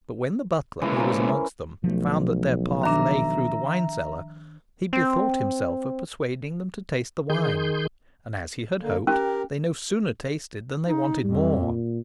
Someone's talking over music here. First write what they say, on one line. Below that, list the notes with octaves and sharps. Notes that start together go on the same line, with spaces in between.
But when the butler, who was amongst them, found that their path lay through the wine cellar, he bethought himself of persuading them to taste the wine, and, as he had hoped, they no sooner tasted than they wanted more.
C#3 E3 G#3 A#3
C#4 A#4 C5
B1 F3 A3
D#3 D4 E5 A#5
C4
D#3 G#4 C6 G6
D3 A#3
C#4 G4 A#4
D#4
F2 G3
A#2